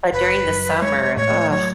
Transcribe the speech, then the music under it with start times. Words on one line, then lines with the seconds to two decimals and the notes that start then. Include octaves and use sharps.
but during the summer, ugh,
0.12 F#1 B4
0.48 F#2
0.82 G#3 C#5
1.17 A2 C#5
1.51 F#3 C#5